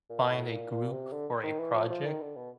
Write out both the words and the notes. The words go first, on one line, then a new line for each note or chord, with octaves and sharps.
find a group for a project,
A#2
A2
A#2
A#2
C3
D3
D#3
E3
F3
F3
D#3
D3
B2